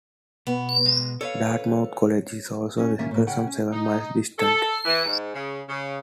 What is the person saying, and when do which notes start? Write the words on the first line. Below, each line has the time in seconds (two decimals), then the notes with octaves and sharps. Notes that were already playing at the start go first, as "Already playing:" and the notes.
Dartmouth College is also visible some seven miles distant.
0.47 B2 B3
0.85 G#3
1.21 A4 B4 C#5 F5
2.77 C#4 F#4
2.99 D#2 D#3 A#3 C#4 E5
3.11 A2 G3 A#3
3.27 C#3 F#5 G5
3.47 C#4
3.72 D#4
4.39 A4
4.85 E3
5.05 G#2
5.34 C#3
5.69 C#3